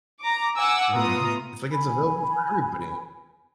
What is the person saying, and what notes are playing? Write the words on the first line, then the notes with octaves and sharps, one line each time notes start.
Mhm. It's like it's available for everybody.
A#5 D6
F#5 G#5 D6 E6
A2 B3 F4 A#5 D#6
G#5 B5